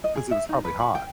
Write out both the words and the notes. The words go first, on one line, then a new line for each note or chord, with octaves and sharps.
'Cause it was probably hot.
D#5
G#4
E5
D#4
B4
B5
G5